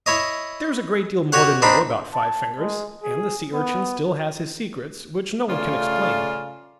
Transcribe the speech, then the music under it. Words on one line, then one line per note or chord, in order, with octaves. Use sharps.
There is a great deal more to know about Five-fingers; and the Sea-urchin still has his secrets which no one can explain.
E4 C#5 D#5
F#4 G4 C#5 F#5
C4 D4 D#4 B5
A5
G#3
G#4
B3
C#3 A3 F4 D5 F5